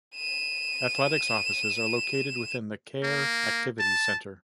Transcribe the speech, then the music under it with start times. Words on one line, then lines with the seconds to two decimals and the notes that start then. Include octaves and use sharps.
Athletics offices are located within the Kerr Activities Center.
0.15 D#7 E7
3.03 A#3
3.79 A5